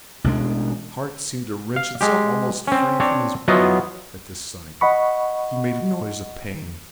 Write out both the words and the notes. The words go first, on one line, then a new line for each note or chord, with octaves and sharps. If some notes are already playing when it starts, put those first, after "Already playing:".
His heart seemed to wrench itself almost free from his body at this sight. He made a noise of pain.
A1 B2 G#3 D4
F5
G#3 G4
C4 C#4
C4 D4 C#5
F#3 B3 E4 F4 D#5
D#5 F#5 B5 C#6